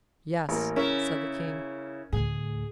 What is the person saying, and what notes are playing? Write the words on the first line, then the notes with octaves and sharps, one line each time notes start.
"Yes," said the King.
A1 A#3
C#3 C#4 E4 A#4 C#5
D2 A2 G#4